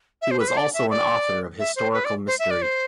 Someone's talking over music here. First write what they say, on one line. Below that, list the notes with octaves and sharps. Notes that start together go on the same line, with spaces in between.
He was also an author of historical mystery.
E5
C5
B4
C5
D5
E5
D5
E5
C5
B4
D5
C5
E5
D5
C5